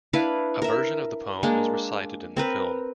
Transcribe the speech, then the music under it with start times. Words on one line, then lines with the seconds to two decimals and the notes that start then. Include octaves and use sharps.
A version of the poem is recited in the film.
0.13 D4 E4 B4 F5
0.62 A#4 E5
1.43 G#3 A#3 D4
2.37 C4 A#4 B4